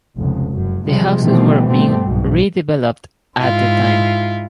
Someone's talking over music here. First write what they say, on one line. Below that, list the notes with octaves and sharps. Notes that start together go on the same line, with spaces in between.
The houses were being redeveloped at the time.
F1 C#2
F#1 F#2
C3 F3 G3 G#3
B2 D#3 E3 G3 A3 C4
G2 B2 G3 A3 C4
B1 G#2 B2
G#2 E4 F4